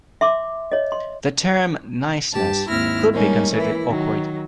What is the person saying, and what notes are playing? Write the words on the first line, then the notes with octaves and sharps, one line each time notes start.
The term "niceness" could be considered awkward.
E5 C6 D6
C#5 D#5
C6
G2 G4 A5
D#2 G#2 C4 E4 F6 A#6
G3 G#3 A#3 C#4 D#4
E3 A#3 E4
D#3 F#3